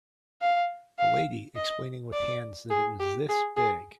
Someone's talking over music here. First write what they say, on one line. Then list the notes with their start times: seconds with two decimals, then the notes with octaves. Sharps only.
A lady explaining with hands that it was this big.
0.42 F5
0.99 F5
1.55 D#5
2.13 D5
2.70 G#4
3.00 G4
3.29 G#4
3.56 G#4